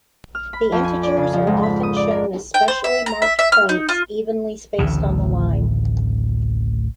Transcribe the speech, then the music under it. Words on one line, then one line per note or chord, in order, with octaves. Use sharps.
The integers are often shown as specially-marked points evenly spaced on the line.
F6
B5
F2
G#5
D5
C#3
F3
G#2
B5
D#6
D5
A#4
G5
C5
E5
A#5
E5
E5
F6
D#4
F4
A1 D2 A2 C#3